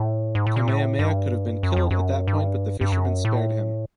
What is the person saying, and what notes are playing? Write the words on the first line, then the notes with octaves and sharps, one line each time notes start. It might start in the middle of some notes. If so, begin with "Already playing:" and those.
Kamehameha could have been killed at that point but the fisherman spared him.
Already playing: A2
G#2
A2
A#2
A2
G2
F#2
F2
F#2
G2
G2
F#2
A2